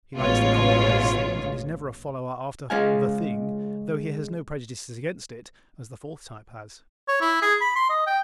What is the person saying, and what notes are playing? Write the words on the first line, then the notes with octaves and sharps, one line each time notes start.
He likes the commonplace things and is never a follower after "the thing" though he has no prejudices against it, as the fourth type has.
A1 G#2 B2 F4 C#5
C#3 G#3 F5 G#5
C#5
E4
G#4
B5
C6
D#5
G5